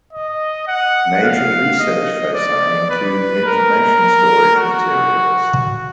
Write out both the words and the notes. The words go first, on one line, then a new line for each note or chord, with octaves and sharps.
Major research foci include information storage materials.
D#5
F#5
F5
D#5
D5
B4
A#4
F#4